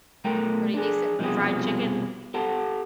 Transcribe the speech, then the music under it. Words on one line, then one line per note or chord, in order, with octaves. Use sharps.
pretty decent. But fried chicken,
B1 A3 A#4 G5 A#5
D4 G#4
C2 F2 B2 F3 G4 G#4
G4 A4 F#5 A5